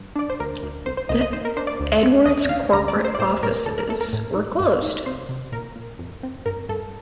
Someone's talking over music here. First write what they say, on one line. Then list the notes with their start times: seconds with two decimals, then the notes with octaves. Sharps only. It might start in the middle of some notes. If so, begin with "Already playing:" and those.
The Edwards corporate offices were closed.
Already playing: G2
0.16 D4 D5
0.30 C5
0.40 D2 A#4
0.63 D2
0.86 C2 C5
0.97 C5
1.09 C2 D#5
1.21 D#5
1.33 D#2 C5
1.45 A#4
1.57 D4 C5
1.67 D5
1.80 D2
2.03 C4
2.26 D#2 D#5
2.49 D#2 F5
2.73 D2 A#5
2.88 D5
2.96 A3
3.04 C5
3.15 D5
3.19 A2 C5
3.43 A2 A#4
3.65 D2 A4
3.78 A#4
3.89 A3 A4
4.01 A#4
4.13 A2
4.36 D#4
4.60 G2
4.82 D#4
5.06 C3 C5
5.29 C3
5.52 A#2 A#4
5.76 A#2
5.99 F2
6.23 C4
6.46 G2 A#4
6.69 G2 A4